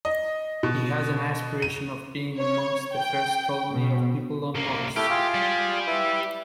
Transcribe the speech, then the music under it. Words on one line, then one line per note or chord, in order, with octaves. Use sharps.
He has an aspiration of being amongst the first colony of people on Mars.
D#5
B2
D#7
C#5
G5
B2
C2 A#3
A3 E4 G4 F6
F4 G#4 F5
G4 D5
E4 B4